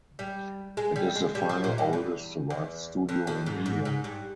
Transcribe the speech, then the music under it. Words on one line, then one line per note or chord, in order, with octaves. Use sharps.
It is the final oldest survived studio in India.
G3
G#3
G3
G#3
G3
F3
A#2
G2
E2
E2
F2
F2
G#2
G#2
G#2
G2